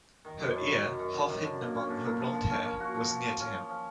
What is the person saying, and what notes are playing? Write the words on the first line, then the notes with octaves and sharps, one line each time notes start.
Her ear, half-hidden among her blonde hair, was near to him.
D#3
F#2
F#2
D#3
F#2
F#2
D#3
F#2
D3
A#3
C#4
D3
A#3
F3
F3
C#4
A#3
F#4
F3
F3
F3
C#4
F3
F3